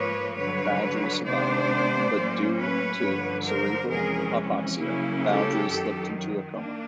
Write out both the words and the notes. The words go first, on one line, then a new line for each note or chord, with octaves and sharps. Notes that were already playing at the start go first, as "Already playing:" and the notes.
Bowdery survived, but due to cerebral hypoxia Bowdery slipped into a coma.
Already playing: G#2 F3 A#3 B4 C#5
G2 D3 F#3 B4 C#5
C3 D#3 G#3 B3 D4 C5 D5
A2 F#3 A#3 C#4
B4 C#5
G2 D3 F3
A#4 C5
F2 C3 E3 G#3 C#4 G#4 A#4
C#3 F#3 A#3 C#4 E4
G4 A4
F#2 D#3 F#3
A#3 D4